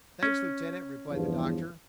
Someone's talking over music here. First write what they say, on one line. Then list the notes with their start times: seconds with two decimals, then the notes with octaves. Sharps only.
"Thanks, Lieutenant," replied the Doctor.
0.23 C#4
1.11 E2 G2 F3